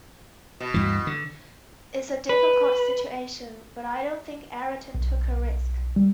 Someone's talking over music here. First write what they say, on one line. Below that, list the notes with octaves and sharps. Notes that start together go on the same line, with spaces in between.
It's a difficult situation, but I don't think Ayrton took a risk.
B2
D2 G2 E3
D3
B4
B1
G3